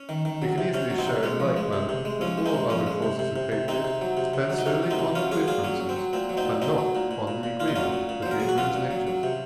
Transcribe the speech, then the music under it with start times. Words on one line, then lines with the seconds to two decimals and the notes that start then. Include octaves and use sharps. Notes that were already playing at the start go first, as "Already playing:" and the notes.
We can easily show in like manner, that all other causes of hatred depend solely on differences, and not on the agreement between men's natures.
Already playing: C#4
0.09 D#3
0.25 D#3
0.42 F#3
0.58 C3
0.74 C3 C#4
0.90 F#3
0.98 C4 D#4
1.07 C3
1.23 G#3 C#4
1.40 F3
1.57 G#3
1.73 C3
1.89 C3
2.05 G#3
2.21 F3 C#4
2.37 G#3
2.46 C4 D#4
2.54 C3
2.70 F3 C#4
2.86 G#3
3.02 C3
3.19 C3
3.36 C3
3.52 C3
3.68 C3 C4 D#4
3.84 C3
4.01 F#3
4.17 C3
4.34 C3
4.50 F#3
4.58 D#4
4.66 C3 C#4
4.83 F#3
4.90 C4 D#4
4.99 C3
5.15 F#3 C#4 F4
5.31 F#3 F4 G#4
5.48 A#2 F4 G#4
5.64 F#3 C#4
5.80 F#3
5.89 C4
5.96 F#3
6.13 A#2 C4
6.29 F#3
6.37 C4 D#4
6.45 A#2
6.62 F#3 C4 D#4
6.78 F#3
6.95 A#2
7.11 A#2
7.27 A#2
7.43 A#2
7.60 A#2 F4
7.68 D#4
7.76 F#3 C#4 F4
7.93 A#2
8.09 A#2
8.22 F#3 C5
8.31 A#4
8.40 F#3 G#4
8.49 F#4
8.58 F#3 C#4 F4
8.74 A#2
8.91 F#3
9.07 F#3
9.23 C3